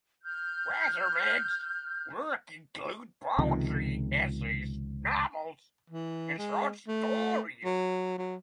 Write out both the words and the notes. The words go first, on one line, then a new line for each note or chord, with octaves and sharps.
Wassermann's work includes poetry, essays, novels, and short stories.
F6 G6
C#2 C3 D#3 F3
E3
G#3
A3
F#3
F#3